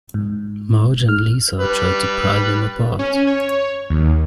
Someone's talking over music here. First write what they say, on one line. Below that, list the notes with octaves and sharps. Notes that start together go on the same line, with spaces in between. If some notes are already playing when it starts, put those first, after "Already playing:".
Marge and Lisa try to pry them apart.
G#2
F6
G3 B4
C#4
C#5
D#2